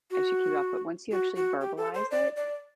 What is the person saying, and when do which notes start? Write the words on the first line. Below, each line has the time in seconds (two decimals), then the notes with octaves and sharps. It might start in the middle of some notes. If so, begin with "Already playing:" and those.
I should keep it up, but once you actually verbalize it,
0.11 F#4
1.11 F#4
1.36 F#4
1.61 G4
1.77 A4
1.94 C5
2.11 D5
2.36 D5